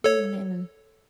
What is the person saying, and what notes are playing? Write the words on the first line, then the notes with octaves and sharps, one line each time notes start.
Oh man.
A4 C#5